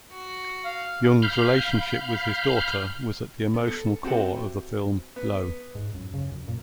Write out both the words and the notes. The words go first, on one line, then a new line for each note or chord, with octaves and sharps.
Jung's relationship with his daughter was at the emotional core of the film, "Blow".
F#4
F5
F5 B5 F6 G6
B3
A4
C4 F#4 G4 A4 E5 F#5
B3
G#2
F#2
C#3
F#2
A#2